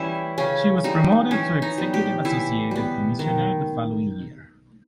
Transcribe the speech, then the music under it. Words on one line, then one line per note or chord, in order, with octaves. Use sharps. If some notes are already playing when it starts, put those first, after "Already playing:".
She was promoted to executive associate commissioner the following year.
Already playing: E3 G3 C#4 E4
C#3 C#4
E3 G3 D#4
E3 C#4
D#4
G3 B3
G4
E3 E4
G3 B3
D#3